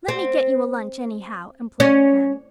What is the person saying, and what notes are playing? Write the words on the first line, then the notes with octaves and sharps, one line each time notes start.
"Let me get you a lunch anyhow," implored Anne.
C4
C#4